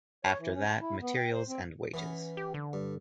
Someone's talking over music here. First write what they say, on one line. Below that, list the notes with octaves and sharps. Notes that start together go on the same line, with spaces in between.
After that, materials and wages.
C#5
E3
C#4
A5
E4
B3
G5
C5
C4
E3 B3 C#4
G4
D3
G2